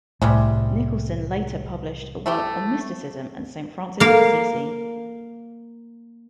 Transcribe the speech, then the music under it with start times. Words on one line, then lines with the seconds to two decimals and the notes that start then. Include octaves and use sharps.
Nicholson later published a work on mysticism and Saint Francis of Assisi.
0.22 C2 A2 C3 G3 G#3
2.26 A3 E4 G4
4.00 A#3 F5